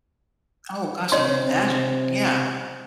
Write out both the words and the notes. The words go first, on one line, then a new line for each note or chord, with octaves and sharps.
Oh gosh, I can imagine. Yeah.
C3 C#5 D#5 C6